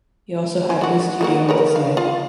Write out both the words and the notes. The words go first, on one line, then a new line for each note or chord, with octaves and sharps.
He also had his studio at the site.
C#4 C5
D4 F#4
C#3 A#3 F#4
A#4 B4 C#5
F5
F4 F5